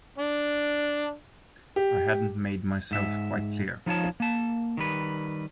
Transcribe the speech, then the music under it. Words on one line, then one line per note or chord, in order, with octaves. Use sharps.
I hadn't made myself quite clear.
D4
G4
G#2 E5
F3 D#4 F4 C#5 A5
A#3 A5
D#3 G3 B4